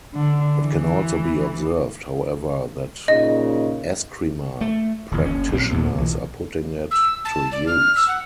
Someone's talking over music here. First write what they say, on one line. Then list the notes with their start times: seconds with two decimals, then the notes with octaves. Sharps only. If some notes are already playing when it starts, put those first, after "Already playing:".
It can also be observed however that "Escrima" practitioners are putting it to use.
0.14 D3
0.59 E3
3.08 A#2 C#3 D#4 D#5
4.61 A3
5.11 D1 E2
5.24 F#1 C#4
5.52 A#1 F#3 C4
5.71 D#2 A#2 B3
5.97 B1 E3
6.91 E6
7.24 A5
7.52 D5
7.66 F6
7.95 E6
8.08 F#5